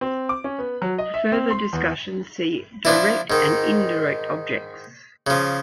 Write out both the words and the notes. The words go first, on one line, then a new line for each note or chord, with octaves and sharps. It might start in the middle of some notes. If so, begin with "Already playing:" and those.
For further discussion, see 'Direct and indirect objects'.
C4
D6
C#4
B3
F#3
D#5
E5
C4
C6
E2
F3 D4 E4
G#2 D#3
C#3 F3